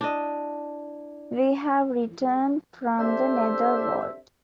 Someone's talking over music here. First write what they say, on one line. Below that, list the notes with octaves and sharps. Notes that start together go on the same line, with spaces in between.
We've returned from the netherworld...
D4 E4 D5 D#5
C4 D4 G4 A4 C5 E5